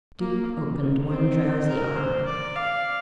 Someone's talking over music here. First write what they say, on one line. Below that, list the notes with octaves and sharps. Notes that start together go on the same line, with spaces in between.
Duke opened one drowsy eye.
A#3
C4
A#4
C5
D5
F5